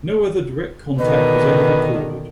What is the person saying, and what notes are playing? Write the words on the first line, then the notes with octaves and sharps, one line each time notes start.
No other direct contact was ever recorded.
B2 D3 D#3 B4 D#5